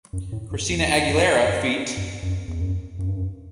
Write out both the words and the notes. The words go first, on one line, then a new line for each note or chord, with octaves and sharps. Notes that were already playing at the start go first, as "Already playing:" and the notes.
Christina Aguilera feat.
F#2
A2
G2
E2
F#2
G2
G2
F#2
E2
F#2
F#2
G2
F#2